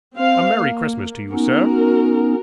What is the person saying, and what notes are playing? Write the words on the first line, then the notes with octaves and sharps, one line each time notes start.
A merry Christmas to you, sir!'
C4 F5
A#3
B3 C#4 D#4 F#4 A#4